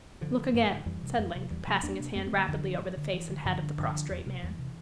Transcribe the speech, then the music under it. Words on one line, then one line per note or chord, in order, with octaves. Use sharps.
"Look again," said Link, passing his hand rapidly over the face and head of the prostrate man.
G2 D3 F3
D3
G2
D3
F2 E3 G3
C3
F2
C3 F3
E2 E3 G3
C3 F3 A3
E2 A#3 D4
C3
F2 A3 C4
A3 C4
D3
G3 A#3
F2 D3 F3
D3
G2
D3
G2 E3
D3
G2 D3 F3
D3
G2 D3 F3
D3
E2
C3
E2 E3
C3